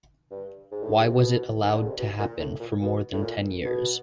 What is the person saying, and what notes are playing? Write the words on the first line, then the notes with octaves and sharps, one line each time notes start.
Why was it allowed to happen for more than ten years?
G2
G#2
A2
G#2
C3
B2
D#3
D3
C#3
C3
B2
A#2
A2
A#2
B2
A2
A#2
B2